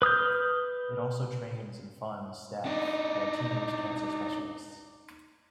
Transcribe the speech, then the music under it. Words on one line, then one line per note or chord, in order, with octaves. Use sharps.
It also trains and funds staff who are teenage cancer specialists.
B4 D#6 F6 G6
D4 D#4